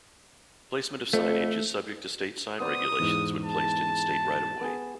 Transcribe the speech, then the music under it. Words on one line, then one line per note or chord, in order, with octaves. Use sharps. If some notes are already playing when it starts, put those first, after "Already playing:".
Placement of signage is subject to State sign regulations when placed in State right-of-way.
F2 A3
B3 C5 D5 D#6
E2 G#2
A5
B3 G#4